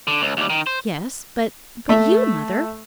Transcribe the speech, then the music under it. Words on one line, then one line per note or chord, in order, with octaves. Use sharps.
"Yes--but--but you, Mother?"
D3
C#2
D#2 G3
D#3
C5
A3 E5